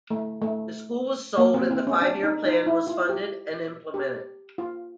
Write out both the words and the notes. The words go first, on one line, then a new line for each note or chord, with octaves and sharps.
The school was sold and the five-year plan was funded and implemented.
A3
A3
A#3
C4
C4
C#4
D4
D#4
D#4
E4
F4
G4
G4
F4